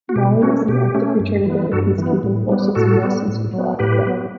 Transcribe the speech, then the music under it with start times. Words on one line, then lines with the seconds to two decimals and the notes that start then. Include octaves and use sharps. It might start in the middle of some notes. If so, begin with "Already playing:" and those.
Mali is an active contributor to peacekeeping forces in West and Central Africa.
0.09 F#4
0.16 B2 G4
0.42 A3 C#4 F#4
0.68 B2 G4
0.95 A3 C#4
1.20 G2
1.46 E3 B3
1.72 G2 F#4 A4
1.98 E3 B3
2.23 A2
2.49 G3 B3
2.75 A2 F#4 A4
3.02 G3 B3
3.28 A2
3.53 F#3 B3
3.79 A2 G4 B4
4.05 F#3 B3